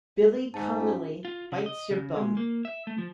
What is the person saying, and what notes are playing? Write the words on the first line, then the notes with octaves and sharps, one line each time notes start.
Billy Connolly Bites Yer Bum!
G#2 A5
C#4 F4 G#4
F4
C#3
D#5
C#3
G#3
A#3
E5
A3
F3